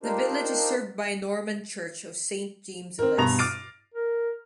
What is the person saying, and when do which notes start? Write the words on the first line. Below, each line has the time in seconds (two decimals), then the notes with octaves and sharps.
The village is served by a Norman church of Saint James the Less.
0.03 D4 D#4 F4 G4 A#4 C5
2.99 C4 A#4
3.18 G2 B2 A#5 A#6 F7
3.39 D6 F6 A6 C7 D7 D#7
3.94 A#4